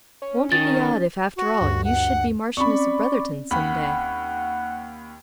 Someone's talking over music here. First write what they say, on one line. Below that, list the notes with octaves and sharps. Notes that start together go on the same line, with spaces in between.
Won't it be odd, if after all, you should be Marchioness of Brotherton some day?
C#4
D#3 A6
F#4
D2 G2
F#5
C4 C#4 D5 B5 C#6
D#2 F#5 B5